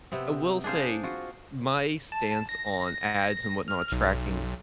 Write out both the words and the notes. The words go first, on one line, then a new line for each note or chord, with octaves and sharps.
I will say my stance on ads and whatnot tracking,
C3 B3 C4
D4 G#4 C5 F5
F4 F#4
A5
A#6
F6
B1